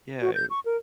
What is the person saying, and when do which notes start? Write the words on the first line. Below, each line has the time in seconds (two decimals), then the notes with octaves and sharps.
Yeah, it w
0.21 F#4
0.35 G6
0.50 C#6
0.66 A#4